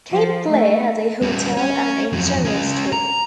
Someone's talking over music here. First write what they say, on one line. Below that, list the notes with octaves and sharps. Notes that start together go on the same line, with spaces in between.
Cape Clear has a hotel and a general store.
F3
A3
G3 C#4
C#4
F2 F#3
G#3 C#4
A#5